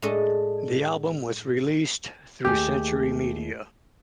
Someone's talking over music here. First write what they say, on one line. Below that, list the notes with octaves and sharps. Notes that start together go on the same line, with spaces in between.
The album was released through Century Media.
A2 G#3 D4 A4 D#5
D#2 A3 G4 G#4